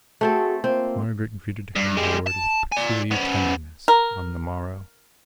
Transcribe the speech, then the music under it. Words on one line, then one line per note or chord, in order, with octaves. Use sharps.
Margaret greeted her lord with peculiar tenderness on the morrow.
A3 C4 F#4 G#4 A4
A#3 C4 F4 C5
G2
G3 G#3
A5
D5 G#5
B3 C#4
A#4